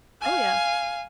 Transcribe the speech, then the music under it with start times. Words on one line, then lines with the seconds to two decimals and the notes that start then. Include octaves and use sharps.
Oh, yeah,
0.21 F5 G#5